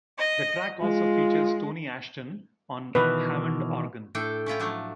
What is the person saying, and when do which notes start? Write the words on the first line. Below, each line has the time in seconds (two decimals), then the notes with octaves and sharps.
The track also features Tony Ashton on Hammond organ.
0.18 D#5
0.80 G#3 F4
2.95 B2 D#3 E3 B4
4.15 A2 D4 A4 G5
4.46 C#4 E4 F4 G5
4.60 F3 F#3 A3 D4